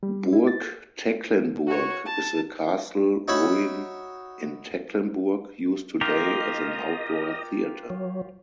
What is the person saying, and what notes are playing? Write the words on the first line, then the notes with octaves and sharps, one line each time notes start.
Burg Tecklenburg is a castle ruin in Tecklenburg, used today as an outdoor theatre.
G3
E4
A6
F#4 C#5
A5
D#4 F#4 C#5 E5 B5
F4 G4 A#4 D#5
F#3